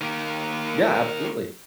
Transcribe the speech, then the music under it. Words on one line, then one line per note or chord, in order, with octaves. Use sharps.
Yeah, absolutely.
D#3 A#3